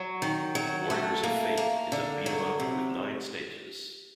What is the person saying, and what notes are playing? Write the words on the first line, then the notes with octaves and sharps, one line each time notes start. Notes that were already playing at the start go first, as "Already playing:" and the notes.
"Warriors of Fate" is a beat'em up with nine stages.
Already playing: F#3
D#3
F#3
A3
A#3
A#3
D3
F#3
C3